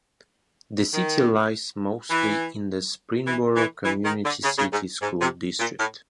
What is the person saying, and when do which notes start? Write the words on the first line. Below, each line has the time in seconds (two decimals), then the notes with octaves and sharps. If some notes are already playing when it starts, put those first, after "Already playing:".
The city lies mostly in the Springboro Community City School District.
0.93 D#3
2.10 E3
3.27 E3
3.56 E3
3.85 E3
4.05 D#3
4.24 D3
4.44 C#3
4.58 C#3
4.73 G#2
5.02 G#2
5.21 C3
5.60 A#2
5.79 A2